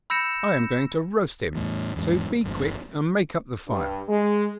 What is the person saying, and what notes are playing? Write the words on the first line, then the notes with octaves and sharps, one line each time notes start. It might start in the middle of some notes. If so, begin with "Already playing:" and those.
I am going to roast him, so be quick and make up the fire!'
B5 E6 G6 A#6 C#7 E7
E2 A2
E2 G#2
G1 E2 G2
G2
G#3